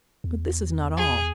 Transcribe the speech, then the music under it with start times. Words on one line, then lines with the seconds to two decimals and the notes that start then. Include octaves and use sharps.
But this is not all.
0.24 E2
0.97 G#4